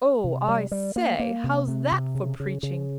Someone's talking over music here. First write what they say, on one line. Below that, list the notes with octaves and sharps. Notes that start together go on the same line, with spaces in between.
'Oh, I say; how's that for preaching?
C3
G3
G3
A#3
A#3
C3
C3
C3
C#3
C#3
C#3